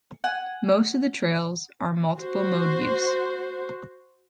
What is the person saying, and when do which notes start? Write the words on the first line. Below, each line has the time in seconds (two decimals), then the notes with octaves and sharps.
Most of the trails are multiple mode use.
0.24 F#5 G#5
2.18 F#4 C5